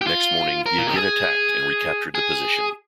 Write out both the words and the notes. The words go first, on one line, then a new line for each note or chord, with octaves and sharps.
Next morning he again attacked and recaptured the position.
G4
F4
A#4
F4
G4
G#4
G#4